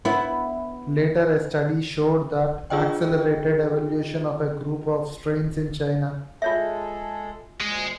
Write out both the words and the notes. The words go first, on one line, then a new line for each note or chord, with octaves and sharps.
Later a study showed that accelerated evolution of a group of strains in China.
B3 E4
D4 F4 G#4 D#5 G5
G#3 F4 G#4 A4 C#5 E5
D2 A#2 G#3